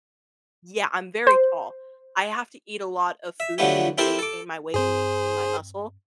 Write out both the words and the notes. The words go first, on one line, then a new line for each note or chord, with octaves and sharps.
Yeah, I'm very tall; I have to eat a lot of food to maintain my weight and maintain my muscle.
C5
E5
D3 F3 F#3 A3 B3 G4
C4 E4 G4 A4 A#4 C5
A4 D6
G2 C4 G#4 C5